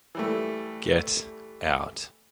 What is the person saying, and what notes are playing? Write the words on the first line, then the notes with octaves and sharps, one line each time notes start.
Get out!
E3 G3 A3